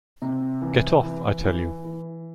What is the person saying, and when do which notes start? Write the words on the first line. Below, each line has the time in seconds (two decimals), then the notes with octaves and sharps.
Get off, I tell you.
0.22 C3
0.62 E3
1.03 E3
1.44 E3
1.84 E3